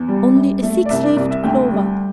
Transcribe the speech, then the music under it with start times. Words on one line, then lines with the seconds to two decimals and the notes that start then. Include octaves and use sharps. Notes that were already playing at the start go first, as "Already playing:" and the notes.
Only a six-leaved clover!
Already playing: E2
0.08 G3
0.35 F#2
0.63 A3
0.85 D5
0.90 C2 E5
1.03 D5
1.16 C2 D5
1.31 E5
1.43 D2 G5
1.70 G3